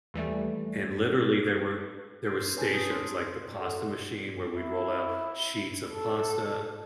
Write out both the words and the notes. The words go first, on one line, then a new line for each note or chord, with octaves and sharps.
and literally, there were there were stations, like, the pasta machine where we'd roll out sheets of pasta.
D#2 E3 G3 A3
C6 G6 G#6 C7 D7
C#4 B4 C#5 G#5 A5
D#6 G6 A6 C7
C6
A4 F#5 C6
E4
A4